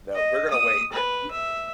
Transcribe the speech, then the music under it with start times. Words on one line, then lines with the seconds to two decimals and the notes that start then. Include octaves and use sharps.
no, we're gonna wait, eh, we
0.15 D#5
0.51 D#6
0.92 B4
1.31 E5